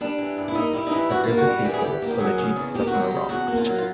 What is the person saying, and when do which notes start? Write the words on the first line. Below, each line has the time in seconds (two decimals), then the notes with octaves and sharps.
A group of people pull a jeep stuck on a rock.
0.01 G3 D4
0.18 E3
0.37 G2
0.48 E4
0.55 A#3 D#4
0.73 G3 E4
0.87 D#4
0.91 E3 E4
1.10 G2 F#4
1.23 A#3 F4
1.37 F#4
1.47 G3
1.65 E3 G4
1.73 G#4
1.81 G2 G4
2.02 A#3
2.11 G4
2.19 F#3 G#4
2.38 C#3
2.56 E2
2.74 A#3 G4
2.87 F#4
2.93 F#3
2.99 G4
3.11 C#3
3.29 E2 F#4
3.48 A#3
3.57 F4
3.66 F#3
3.78 F4